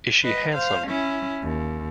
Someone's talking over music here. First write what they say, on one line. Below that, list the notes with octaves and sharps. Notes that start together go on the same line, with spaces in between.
Is she handsome?
B4 D#5
C5 F5
C#4 E4
D#2